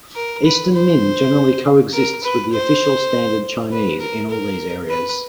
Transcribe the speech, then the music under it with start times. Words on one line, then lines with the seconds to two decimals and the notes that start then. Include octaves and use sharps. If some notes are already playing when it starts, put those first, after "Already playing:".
Eastern Min generally coexists with the official standard Chinese in all these areas.
0.16 A#4
0.45 B4
0.74 C5
1.93 A#4
2.23 B4
2.52 C5
3.71 B4
4.00 A#4
4.30 A#4
4.89 B4